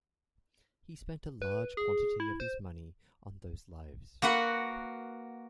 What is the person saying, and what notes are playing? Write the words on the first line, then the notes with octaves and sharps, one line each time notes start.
He spent a large quantity of his money on those lives.
B4
G#4
E4
C5
A#3 F#4 B4 F#5